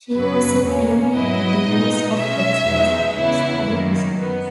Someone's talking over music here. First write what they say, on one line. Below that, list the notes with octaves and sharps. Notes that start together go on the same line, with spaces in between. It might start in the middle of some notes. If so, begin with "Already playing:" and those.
She was a pioneer in the use of X-rays to study crystals.
F#2 C#3 F#3 B4
E2 B2 A#3 C#4
G#2 F#3 B3 E4 D#5
A#2 G#3 B3 D#4
B2 G#3 C#4 E5
E2 B2 G#3 D#4
E2 C#3 E3 B3 E4
F#2 D#3 A#3
B3